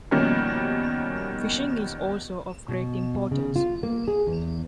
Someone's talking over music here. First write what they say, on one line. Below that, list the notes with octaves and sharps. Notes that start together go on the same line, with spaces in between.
Fishing is also of great importance.
B2 D#3 F3 G3 A#3 C#4
B2
C#3
F4
A#3
G#4
E2